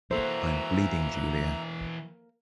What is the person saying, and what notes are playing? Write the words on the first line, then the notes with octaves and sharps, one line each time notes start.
I’m bleeding Julia.
E3 A#3 F#4 A4 C5 E5 A#5